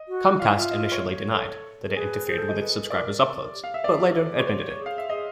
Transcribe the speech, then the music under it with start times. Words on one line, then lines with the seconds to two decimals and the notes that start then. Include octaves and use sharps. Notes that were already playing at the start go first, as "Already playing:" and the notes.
Comcast initially denied that it interfered with its subscribers' uploads, but later admitted it.
Already playing: D#5
0.08 F#4
0.40 F4 F5
0.48 E4
0.55 F4 E5
0.71 D#5
0.92 C#5
1.34 A4
1.87 A#4
1.96 G#4 B4
2.27 G#4 C5
2.38 A4
2.49 D#5
2.59 B4
2.85 B4
2.90 A#4 D5
3.22 A#4
3.38 A#4
3.53 G4
3.64 F5
3.74 E5
3.84 G#4 D5
4.16 A4
4.32 G#4
4.39 C#5
4.47 G4 C5
4.78 G#4
4.86 F5
4.98 E5
5.10 G#4 D#5